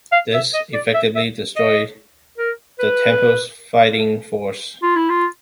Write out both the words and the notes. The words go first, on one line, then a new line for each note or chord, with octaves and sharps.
This effectively destroyed the temple's fighting force.
F5
E5
D#5
D5
E5
E5
D#5
A#4
B4
F4
E4
F4